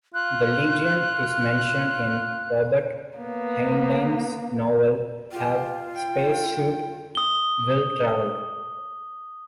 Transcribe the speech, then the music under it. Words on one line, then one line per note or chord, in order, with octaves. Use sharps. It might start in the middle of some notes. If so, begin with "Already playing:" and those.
The legion is mentioned in Robert Heinlein's novel Have Space Suit - Will Travel.
F4 F#6
A#3 B3
F4 G4
G5
D#6 G7